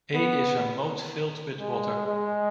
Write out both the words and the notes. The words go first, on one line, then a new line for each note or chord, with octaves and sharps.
A is a moat filled with water.
B3
G#3
G#3